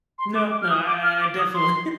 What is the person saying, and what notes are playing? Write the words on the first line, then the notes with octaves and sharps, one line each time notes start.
No. No, I I I definitely,
C6
D6
D6
F6
D#6
D6
F6
D6
D#6
C6